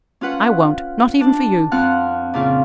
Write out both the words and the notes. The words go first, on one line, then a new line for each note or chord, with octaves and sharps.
I won't, not even for you.
C#4 F4 B4 F#5
D4
F2 C4 F4 F#5 F6 F#6
A#2 C#3 F4